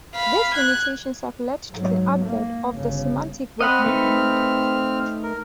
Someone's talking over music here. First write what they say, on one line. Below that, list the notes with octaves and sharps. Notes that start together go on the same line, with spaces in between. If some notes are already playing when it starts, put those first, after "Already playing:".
These limitations have led to the advent of the Semantic web movement.
F5 B5
F#6 G#6
G#2 F#3
A#3
G1 C#3
C4 D#5 F#5 B5 F6
A3 D#4 B4
A#4